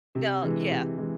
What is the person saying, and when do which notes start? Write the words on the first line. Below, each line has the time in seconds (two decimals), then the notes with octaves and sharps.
No, yeah.
0.15 C3
0.43 E3 G#3
0.70 C3
0.98 E3 G#3